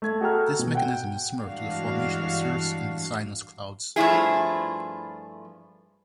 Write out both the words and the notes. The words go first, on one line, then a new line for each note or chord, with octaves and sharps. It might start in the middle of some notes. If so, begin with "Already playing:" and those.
This mechanism is similar to the formation of cirrus uncinus clouds.
A3 G#6
F#4 G#4 A4 G5 A#5 F6
B2
F#5 G5
G2 E3 G#3 D4 F#4 F5
G2 F3 A3 E4 G#4